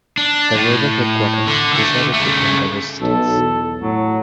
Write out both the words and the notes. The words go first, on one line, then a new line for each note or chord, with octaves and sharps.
The rebel headquarters decided to end the resistance.
D4
A2
D3
D3 A3
C#3 A3
B1 A4
E2
A2 F#3